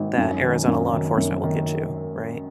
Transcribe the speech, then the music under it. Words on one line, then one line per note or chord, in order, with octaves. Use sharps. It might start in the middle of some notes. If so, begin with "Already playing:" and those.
that Arizona law enforcement will get you, right?
Already playing: G#1
F#2
D#3
F#2
D#3
F#2
D#3